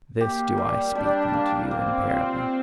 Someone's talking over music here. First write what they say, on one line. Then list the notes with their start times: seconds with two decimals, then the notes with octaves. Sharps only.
This do I speak unto you in parable.
0.21 A#3 G4
0.58 G3
0.95 G3 D4
1.33 A#3
1.71 A#3 C4
2.10 F4